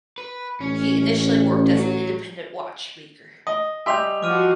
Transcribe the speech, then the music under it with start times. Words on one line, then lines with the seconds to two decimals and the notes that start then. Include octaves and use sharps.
He initially worked as an independent watchmaker.
0.18 B4
0.61 A1 C#4
1.74 F#3 C#5
3.47 D#5 D#6
3.86 G3 D#5 E5 G5 G#5 C6 F7
4.23 F3 F#4 D6 F6 D#7